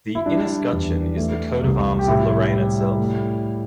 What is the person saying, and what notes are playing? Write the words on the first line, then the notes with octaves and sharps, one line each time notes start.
The inescutcheon is the coat of arms of Lorraine itself.
E4
G3 D4
E2
A3
C2
G4
A2 E4
G3
A3